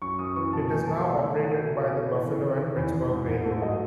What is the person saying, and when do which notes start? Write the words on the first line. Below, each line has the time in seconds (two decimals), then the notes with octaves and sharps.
It is now operated by the Buffalo and Pittsburgh Railroad.
0.02 F#2 C#6
0.19 F#2 D#6
0.36 E3 C#6
0.53 B2 A5
0.70 A3 G#5
0.87 B2 A5
1.05 A3 E5
1.18 D#3 E5
1.31 G#5
1.39 D#3 F#5
1.56 B2 E5
1.73 B2
1.91 B2
2.08 E3
2.26 E3
2.42 E3
2.59 D#3
2.76 E2
2.94 E2
3.11 G#2
3.28 G#2
3.45 A3
3.62 F#3 D#5